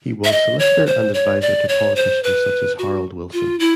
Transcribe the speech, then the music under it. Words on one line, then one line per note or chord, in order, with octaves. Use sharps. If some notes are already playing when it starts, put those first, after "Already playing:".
He was solicitor and advisor to politicians such as Harold Wilson.
E5
D#5
C#5
C5
C#5
D5
C#5
C5
B4
F#4
F4
E4